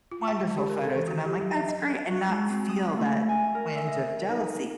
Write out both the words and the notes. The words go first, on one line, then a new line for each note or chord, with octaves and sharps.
wonderful photos, and I'm like, "That's great," and not feel that twinge of jealousy.
F4
G5
G#3
G4
A#4
A4
E3
F#4
G4
F#3
E5
D#5
F#4
G#3
C4
D#6
A3
G#5
A#4
E5
D#5
D#4